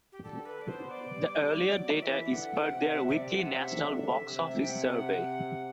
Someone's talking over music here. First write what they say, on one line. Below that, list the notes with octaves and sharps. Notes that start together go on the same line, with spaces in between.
The earlier data is per their weekly National Boxoffice Survey.
G4
D3 A4
B4
D5
B3 C5
D5
G3
F#3
E3 E5
D3 F#5
G5
C3 F#5
C3 E5
E5
D5
C3 F#5
E5
D3
C3
G5
F#5